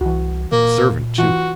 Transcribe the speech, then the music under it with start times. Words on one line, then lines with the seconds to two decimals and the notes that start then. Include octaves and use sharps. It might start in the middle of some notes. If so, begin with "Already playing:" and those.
A servant too.
0.01 C2 E3 F#4
0.52 A#2 A#3
1.18 E3 F4 F#4